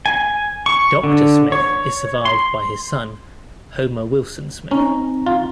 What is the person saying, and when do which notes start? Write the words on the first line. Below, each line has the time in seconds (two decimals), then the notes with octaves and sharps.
Doctor Smith is survived by his son, Homer Wilson Smith.
0.06 G#5
0.66 C#6
1.04 D3
1.52 C#5
2.25 C6
4.71 C4 C#4 D#4 A#5
5.26 F4